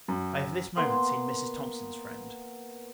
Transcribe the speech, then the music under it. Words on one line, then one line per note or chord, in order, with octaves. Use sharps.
I have this moment seen Mrs. Thomson's friend.
F#2
A#3 B3 C6